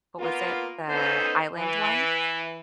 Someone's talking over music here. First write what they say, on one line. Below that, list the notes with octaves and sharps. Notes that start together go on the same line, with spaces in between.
what was it, the island one?
A#3 B3 F4
B3 C#4 D#4 A4 C5
E3